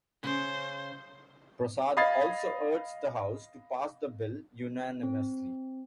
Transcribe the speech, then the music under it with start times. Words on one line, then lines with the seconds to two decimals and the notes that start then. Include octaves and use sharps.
Prasad also urged the House to pass the bill unanimously.
0.24 C#3 C#4 C5
1.97 D#5 F5 B5 G#6 A6 C7
5.03 C4